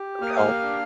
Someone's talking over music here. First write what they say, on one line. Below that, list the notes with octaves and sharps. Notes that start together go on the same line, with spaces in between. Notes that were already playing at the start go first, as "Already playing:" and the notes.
it would help.
Already playing: G4
A#3 F6
D#6
F5 F6
D4